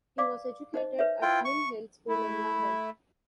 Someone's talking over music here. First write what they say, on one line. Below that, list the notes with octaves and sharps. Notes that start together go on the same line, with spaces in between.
He was educated at Mill Hill School in London.
D5 F5 D6
D#4 C5 D#5
B4 C#5 E5
E4 F4 G5
C#6
A3 E4